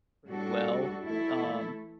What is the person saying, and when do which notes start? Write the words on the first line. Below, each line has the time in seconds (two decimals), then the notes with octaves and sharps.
pretty well. Um.
0.29 A2 G3 D4 F#4 A4
1.04 E3 A3 E4 A4